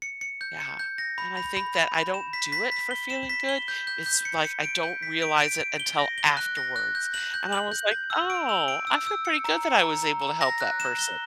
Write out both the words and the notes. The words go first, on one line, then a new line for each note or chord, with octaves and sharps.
Yeah, and I think that I don't do it for feeling good, it's like I don't realize it until afterwards. And I was like, "Oh, I feel pretty good that I was able to help that person."
C#7
C#7
G6
C#7
G6
A#6
B5
B5
B5
B5
B5
E7
B6
B6
B6
G7
E7
B6
G7
G6
G6
G6
C#7
C#7
D7
G6
B6
D7
D7
D7
G7
A#6
G7
F#6
A#6
F#6
G6
F#7
G6
F#7
G6
G6
E6
D7
E6
D7
E6
E6
C#7
A#5
C#7
A#5
A#5
A#5
A#6
F#6
E7
G7